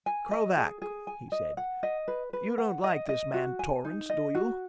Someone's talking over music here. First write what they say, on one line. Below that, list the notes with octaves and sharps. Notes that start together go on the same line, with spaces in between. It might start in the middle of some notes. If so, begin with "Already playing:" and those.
"Krovac," he said, "you don't like this man Torrance, do you?"
G#5
D#5
G#4
G#4
G#5
D#5
F#5
D#5
B4
B4
F#5
D#5
D#5
F#4
G#5
D#4
D#5
F#4